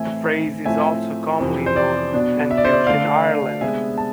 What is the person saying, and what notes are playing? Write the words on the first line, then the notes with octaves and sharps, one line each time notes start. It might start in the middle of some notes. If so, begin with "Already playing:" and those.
The phrase is also commonly known and used in Ireland.
Already playing: A2 E3 A3 C4 E5 G#5
A2 F3 A3 C4 E5 G#5
F2 C3 E3
C5
D5
B2 B3 D4
E5
D5
C5
D5
D3 A3 D4 D5 F5
C3 G#3 B3 D4 E5 G#5
A5